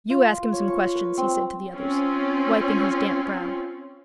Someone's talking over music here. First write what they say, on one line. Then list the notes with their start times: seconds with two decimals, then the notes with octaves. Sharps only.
"You ask him some questions," he said to the others, wiping his damp brow.
0.10 F4
0.52 C#5
0.68 C#6
0.95 B4
1.17 C4
1.74 C4 C#4 F4